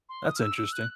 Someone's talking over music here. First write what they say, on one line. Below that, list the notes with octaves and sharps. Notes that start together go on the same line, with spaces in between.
That's interesting.
C6
D#6
F6
E6
E6
F#6